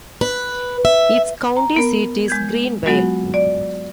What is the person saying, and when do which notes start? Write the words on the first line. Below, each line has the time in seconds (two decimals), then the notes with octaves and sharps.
Its county seat is Greenville.
0.21 B4
0.85 E5
1.57 A#5
1.76 B3 A#4
2.28 G#3 G6 G#6
2.86 F#3 G#3 B3 F4 F#4
3.34 D5